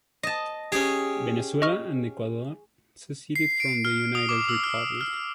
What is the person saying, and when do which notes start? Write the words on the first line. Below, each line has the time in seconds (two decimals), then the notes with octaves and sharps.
Venezuela and Ecuador seceded from the united Republic.
0.23 D#5 A5
0.72 C#4 G4 G#4
1.62 D#5 C#6 F6
3.36 C7
3.60 D7
3.85 F6
4.15 D#6
4.29 D6
4.49 E6
4.64 F6
5.01 F6